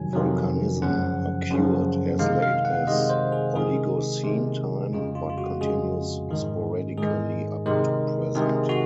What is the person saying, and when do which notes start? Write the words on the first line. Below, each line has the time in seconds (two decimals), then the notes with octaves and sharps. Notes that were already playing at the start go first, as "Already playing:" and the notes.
Volcanism occurred as late as Oligocene time, but continues sporadically up to present.
Already playing: F2 C3 D#3 F#3 G#5
0.13 F2 C3 D#3 F#3
0.82 F#2 C#3 F3 F#5
1.50 F#2 C#3 F3
2.19 C3 D#3 G#3 F5
2.42 F5
2.65 F#5
2.87 C3 D#3 G#3 D#5
3.10 C5
3.32 G#4
3.56 C3 D#3 G#3 G#4
4.24 C3 D#3 G#3
4.93 F2 C#3 G#3 F4
5.15 F4
5.30 F4
5.38 F#4
5.61 F2 C#3 G#3 G#4
6.29 G#2 D#3 G#3
6.98 G#2 D#3 G#3 G#4
7.66 C3 D#3 G#3 A#4
8.35 C3 D#3 G#3 G#4
8.69 F#4